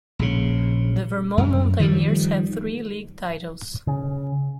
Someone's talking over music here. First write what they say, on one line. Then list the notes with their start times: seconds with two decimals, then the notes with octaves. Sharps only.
The Vermont Mountaineers have three league titles.
0.19 A#1 C#3
1.37 F#2
1.80 D#3 F3 G3
3.87 C#3